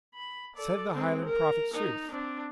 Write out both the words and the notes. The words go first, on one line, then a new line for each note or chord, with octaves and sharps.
'Said the Highland prophet sooth?
B5
A4 D5
G#3 C4
A#4
D#4
C4 D4